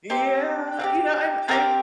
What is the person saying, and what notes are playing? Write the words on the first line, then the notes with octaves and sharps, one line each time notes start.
Yeah, you know, I'm I'm
C4 D#4 G4
C4 D#4 G4
C4 D#4 G4 A#4